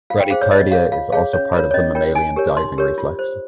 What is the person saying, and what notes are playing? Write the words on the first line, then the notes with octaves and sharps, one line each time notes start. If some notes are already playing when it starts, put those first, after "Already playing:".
Bradycardia is also part of the mammalian diving reflex.
F4 F5
G5
G#4 C5 F5
C#5
F4 D#5
G#4 C#5 F5
F4 F5
G#4 C#5 F5
C#4 C#5
F4 A#4 C#5
C#5
C#4 D#5
F4 A#4 C#5 G5
D#4 G#5
G4 A#4 C#5
D#4 C6
G4 A#4 C#5
F4
C5